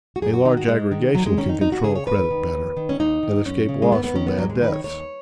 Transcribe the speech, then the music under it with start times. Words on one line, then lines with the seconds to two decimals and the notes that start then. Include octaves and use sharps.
A large aggregation can control credit better and escape loss from bad debts.
0.16 F#4
0.22 F#2 G#4
0.33 F#4
0.45 D#3 D#4
0.57 F#4
0.68 G#2 G#3
0.92 D#3
1.15 D#2 F#3
1.26 G#3
1.37 D#3 C#4
1.49 D#4
1.61 D#2 D#4
1.72 F#4
1.84 C#3 G#4
1.95 C#5
2.07 D#2 B4
2.31 D#3
2.54 D#2
2.77 D#3
2.89 C#4
2.99 D#2 D#4
3.23 D#3
3.46 F#2 C#4
3.69 C#3
3.82 G#3
3.92 D#2 B3
4.04 B3
4.15 D#3 C#4
4.27 B3
4.38 D#2 F#3
4.50 G#3
4.61 D#3 B4
4.73 C#5
4.84 D#2 C#5